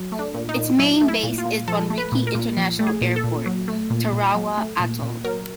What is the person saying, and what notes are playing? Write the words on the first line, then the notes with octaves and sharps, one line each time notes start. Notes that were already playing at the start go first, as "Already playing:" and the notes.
Its main base is Bonriki International Airport, Tarawa Atoll.
Already playing: F#3
A3
D4
A#2
D#4
A#2
F#3 E4
A3
E4
A#2
F4
A#2
F3 A4
A3
B4
A#2
A#4
A#2
F3
A3
G#4
A#2
A4
A#2
F#3
A3
A#2
A#2
F#3
A3
A#2
A#2
F#3 A#4